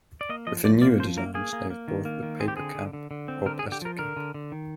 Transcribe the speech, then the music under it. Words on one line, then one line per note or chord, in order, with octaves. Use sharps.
With the newer designs they have both the paper cap or plastic cap.
D5
A#3 D#5
F3 D#5
F3 D5
A#3 D5
F3 C5
A#3 A#4
A#3 G#4
A#3
A#3
D#3
A#3
D#3
C4 G#4
G4
D3 G#4
D3
D3
D3
C4
D3 A#4
G#4
D3
G4
F3 A#4
D3 A#4
D3
D3
D#3